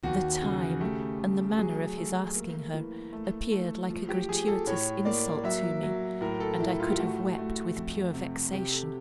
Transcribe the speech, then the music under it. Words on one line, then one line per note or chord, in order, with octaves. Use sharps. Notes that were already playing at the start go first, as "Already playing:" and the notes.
The time and the manner of his asking her appeared like a gratuitous insult to me; and I could have wept with pure vexation.
D#2 F#4
C#3
A3 G4
A3
F#3 G#4
A3
A#3
E3
A3
A3
F3
G4
F3 G#4
A4
A2 C#5
A#3 D5
F#3 E5
F#3
A2 A#4
A4
A2 E4
F4
G4
A3 F#4
A3
F2
C3
C3 G4
A4